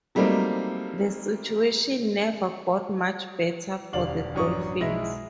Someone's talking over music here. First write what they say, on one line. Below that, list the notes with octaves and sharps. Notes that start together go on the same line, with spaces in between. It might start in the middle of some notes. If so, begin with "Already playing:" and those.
The situation never got much better for the Dolphins.
F#3 G3 A3 A#3 C4 D#4
E1 D2 G3 D5 F5 F#7
A1 F#2 D4 C#6 D#6
B1 G#3 E4 E5 A#6